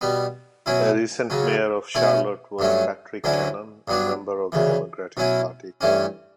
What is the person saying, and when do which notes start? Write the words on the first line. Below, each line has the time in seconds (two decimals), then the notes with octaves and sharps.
A recent mayor of Charlotte was Patrick Cannon, a member of the Democratic Party.
0.01 B2 G3 B3
0.66 B2 F#3 C#4 E4
1.30 C#2 C#3 F#3 C#4
1.95 B2 A3 C#4 E4
2.59 G2 F#3 A3 C#4
3.24 D2 D3 F#3 C#4 E4
3.88 G2 F#3 B3 D4
4.52 D2 C#3 E3
5.17 B2 F#3 C#4 E4
5.81 G2 E3 A3 C#4